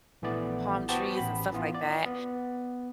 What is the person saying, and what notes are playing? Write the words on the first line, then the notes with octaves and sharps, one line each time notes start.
palm trees and stuff like that.
A#1 E3 A3 B3 D5
B3 F#4 G4 C5 A5
A1 B5
E3 B3 F4
D5
B3